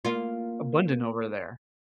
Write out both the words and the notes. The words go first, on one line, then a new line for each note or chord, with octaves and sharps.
abundant over there.
A#3 F4